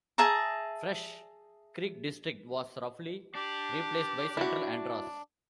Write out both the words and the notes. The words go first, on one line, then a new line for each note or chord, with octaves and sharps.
Fresh Creek district was roughly replaced by Central Andros.
G#4 E5 A5 A#5
D4 G4
E4 F#4